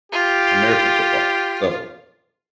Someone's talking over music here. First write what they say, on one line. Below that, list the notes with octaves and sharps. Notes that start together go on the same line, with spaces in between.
American football, so
F4 G4